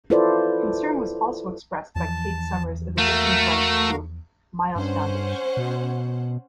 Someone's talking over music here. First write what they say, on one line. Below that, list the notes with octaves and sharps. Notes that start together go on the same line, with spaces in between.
Concern was also expressed by Kate Summers of the victims rights group Miles Foundation.
E4 F4 A4 B4 C5 D5
E2 E3 F3 A5
A3 F#4 A#4 F5
G2 C#4 C5 F#5
B2